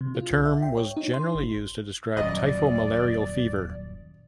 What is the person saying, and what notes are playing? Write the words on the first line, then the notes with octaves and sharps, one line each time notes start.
The term was generally used to describe Typho-malarial fever.
C3
F4
C2
E5
G5
C#5
D#4
C6
G1
D#1 F#2 D5 D#5